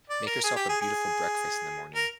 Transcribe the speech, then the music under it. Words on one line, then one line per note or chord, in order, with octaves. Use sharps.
make yourself a beautiful breakfast in the morning.
D5
A#4
G#4
G4
G#4
G#4
A#4